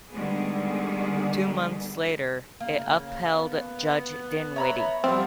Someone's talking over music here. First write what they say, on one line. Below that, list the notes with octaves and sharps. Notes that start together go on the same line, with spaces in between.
Two months later, it upheld Judge Dinwiddie.
D3 D#3 G3 G#3 B3 G#4
C#3 A#3
B3
C#5 E5 A#5 B5
F3 G3 C4 F4 F#5